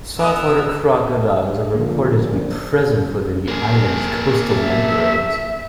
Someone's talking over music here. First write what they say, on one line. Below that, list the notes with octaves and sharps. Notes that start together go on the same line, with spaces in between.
Saltwater crocodiles are reported to be present within the island's coastal mangroves.
B3 A#4 D#5 E6
A#1 D3 A#3
A#3 G#4
E5